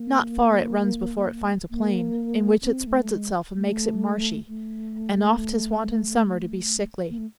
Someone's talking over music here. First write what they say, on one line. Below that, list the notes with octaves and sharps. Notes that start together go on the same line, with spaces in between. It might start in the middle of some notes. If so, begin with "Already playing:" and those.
Not far it runs before it finds a plain In which it spreads itself, and makes it marshy, And oft 'tis wont in summer to be sickly.
Already playing: A#3
A#3
C4
A3
G#3
A3
A3
A#3
A3